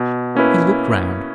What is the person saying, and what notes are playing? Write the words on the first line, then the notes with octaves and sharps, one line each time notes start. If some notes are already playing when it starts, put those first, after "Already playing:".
He looked round.
Already playing: B2
A#3 C#4 E4 B4